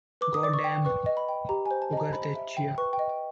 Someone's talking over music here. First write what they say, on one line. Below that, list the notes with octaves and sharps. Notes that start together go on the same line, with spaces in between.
God damn Ugartechea.
B4 D6
D#6
D5 D6
C#6
G5
B4 C#6
D#5
B5
G5
G4 A#5
G#5
C5
A5
D#5 A#5
C5 B5
E5
G5
B4 C#6
G5
D#5
G5